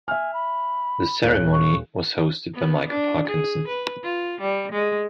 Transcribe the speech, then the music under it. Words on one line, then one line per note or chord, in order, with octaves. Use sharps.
The ceremony was hosted by Michael Parkinson.
E5 G#5 F6
B5
D#1 C#5 F#6
C#6
B3
D4
G#4
B4
F4
G3
G#3